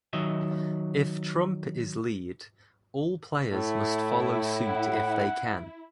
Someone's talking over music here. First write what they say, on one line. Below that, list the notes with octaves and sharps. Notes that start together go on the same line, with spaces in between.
If trump is lead, all players must follow suit if they can.
D#3 F#3 D#5 E5
A2 A3 E4
F#5